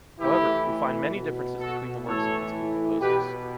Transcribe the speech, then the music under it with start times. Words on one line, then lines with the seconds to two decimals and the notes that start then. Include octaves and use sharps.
However, we find many differences between the works of these two composers.
0.20 A2 E3 E4 G4
1.14 B2
1.60 F#4 A4
2.08 A2 E3 A4 C#5
3.00 B2 G4 B4